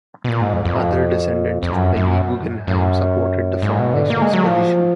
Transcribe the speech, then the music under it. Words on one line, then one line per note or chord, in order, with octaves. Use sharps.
Other descendants of Peggy Guggenheim supported the foundation's position.
B2
A#2
G#2
F2
F2
F2
F#2
F#2
F#2
G#2
B2
D3
A#3
G#3
F#3
F3